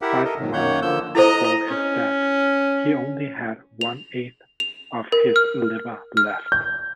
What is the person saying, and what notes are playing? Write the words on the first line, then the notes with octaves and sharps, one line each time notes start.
Five months before his death, he only had one eighth of his liver left.
E4 G4 A#4 E5 F#5
A4 A#4 D#5
G#2 D#3 F#3
F#2 D#3 A#3 C#5 F#5 G6
D3 F3 A#3 E6 G6
E4 A4 C5 D#5 A#5
C#4
F7
F7
A#4
F6
F6
G6